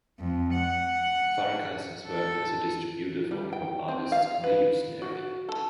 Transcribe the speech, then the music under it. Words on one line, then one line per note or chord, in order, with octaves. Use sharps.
Farkas has worked as a distributor for hip hop artists in the Houston area.
F2
F#5
A4
G3
G5
C4
F5
B4
F#4
A4